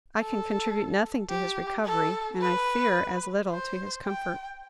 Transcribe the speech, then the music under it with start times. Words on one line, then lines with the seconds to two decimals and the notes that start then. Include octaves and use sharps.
I can contribute nothing to his recovery, and I fear as little to his comfort.
0.20 A4
1.30 G4
1.85 A4
2.40 B4
3.51 C5
4.06 G5